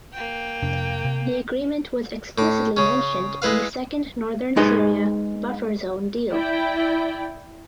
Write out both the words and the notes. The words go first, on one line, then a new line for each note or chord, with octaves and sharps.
The agreement was explicitly mentioned in the Second Northern Syria Buffer Zone deal.
A#3 G5
F2 C3 D4
C3
A2 D6
C#3 C#4
G#3 E4 B4 F5
G#3 D#4 G#4 B4 D#5
E4 D5 G5